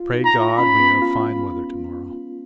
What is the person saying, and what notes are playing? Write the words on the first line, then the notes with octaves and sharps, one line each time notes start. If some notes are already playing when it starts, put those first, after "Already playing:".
Pray God we have fine weather to-morrow.
Already playing: F4
D#4
A#5
F4
C#4 B5
B3
F4